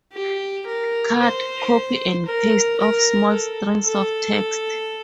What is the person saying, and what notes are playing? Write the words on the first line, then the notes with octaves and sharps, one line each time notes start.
Cut, Copy and Paste of small strings of text.
G4
A#4
C5
A#4
A#4
A4
A4